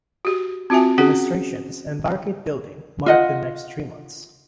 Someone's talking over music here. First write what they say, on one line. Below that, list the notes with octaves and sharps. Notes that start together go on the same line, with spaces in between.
Demonstrations and barricade-building marked the next three months.
F#4 G4
C4 F4 F#4 E5 G#5
C#4 F#4 G#4 F#5
F4 D#5 F#5